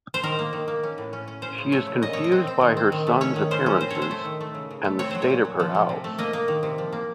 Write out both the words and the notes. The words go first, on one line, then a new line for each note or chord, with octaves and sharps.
She is confused by her sons' appearances and the state of her house.
C5
D#3 A#4
A#3
D#3
A#3
C#4
A2
C#4
C#4
C#4 C5
C#3
A3 C#5
C#3
A#2 D#5
A3 C#5
D#5
C4
C4
D#3
C4
D#3
A3
C#4 C#5
D#3
C#4 C5
C#4
C4 C5
A3 C#5
C5
A3
D#3
A3
C#3
C#3
A3
C4 C#5
F#3 C5
C#5
A#2
F#3
F3
F3
C3
A3
A#3 D#5
A#3
D#3
C3
F3
A#3